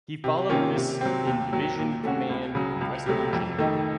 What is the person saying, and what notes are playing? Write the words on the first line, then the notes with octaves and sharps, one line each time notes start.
He followed this in division command in West Virginia.
C3
D#3 A#3 C#4 F4
C3
F#3 C4
D#2
D#3 F#3
A#2
A3 C#4 F#4
C#2
C#3 F#3
C#2
C3 F#3 A3
F2
D#3 A3 D#4